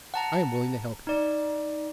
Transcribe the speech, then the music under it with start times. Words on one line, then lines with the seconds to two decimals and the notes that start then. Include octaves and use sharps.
I am willing to help you.
0.14 F#5 A5 A#5
1.07 D#4 D5